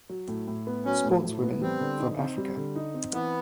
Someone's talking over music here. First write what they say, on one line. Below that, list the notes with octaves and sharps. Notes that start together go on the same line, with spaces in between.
Sportswomen from Africa.
F#3
A2
A2
B3
F#3 C#4
A2
A2
B3
G3 C4
D3
D#4
C4
G3
D3
D#4
C4
E3 B3